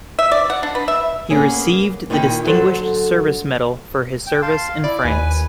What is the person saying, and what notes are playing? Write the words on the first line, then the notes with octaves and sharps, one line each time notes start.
He received the Distinguished Service Medal for his service in France.
E5
D5
F#5
D4
B4
E5
A#3 B3 C#4 G#4
A#2 D#3 D#4 E4 G5
D3 F#3 A4 C5
G5
F5 A5 C6
E4 D5
D#2 B4 G#5